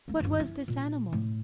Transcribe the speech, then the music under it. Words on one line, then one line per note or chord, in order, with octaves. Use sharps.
What was this animal?
D#3 A#3
G1 D#2
E4
A#2
A2